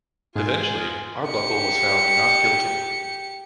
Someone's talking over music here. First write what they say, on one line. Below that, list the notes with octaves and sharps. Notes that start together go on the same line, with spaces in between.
Eventually Arbuckle was found not guilty.
G#2 F4 G#4 G#5
G4 C#7